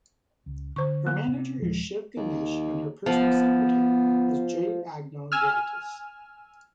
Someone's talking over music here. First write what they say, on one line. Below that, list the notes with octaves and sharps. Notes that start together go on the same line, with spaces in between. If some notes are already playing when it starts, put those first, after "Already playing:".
Her manager is Shiv Ganesh and her personal secretary is J. Agnel Grietas.
C#2
D3 C5 C#6
A#3
C3
D#1 F3 G#3
D#2
F3 B3
G#5 E6 F6